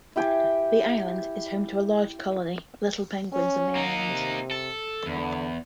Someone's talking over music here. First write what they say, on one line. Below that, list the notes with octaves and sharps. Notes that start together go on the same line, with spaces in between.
The island is home to a large colony of little penguins on the island.
E4 G4 G5 G#5
C#4
A#3 D#4
C3
A4
E2 D3